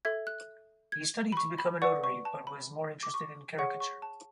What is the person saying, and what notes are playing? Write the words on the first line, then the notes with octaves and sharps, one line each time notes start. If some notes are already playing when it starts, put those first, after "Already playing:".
He studied to become a notary, but was more interested in caricature.
A4 E5 G#6
F#6
G#6
B5
C#6
B5
B4 D5 F#5 C#6
C#6
A5
B5
D6
C#6
G#4 C#5 F#5 C#6
C#6
A5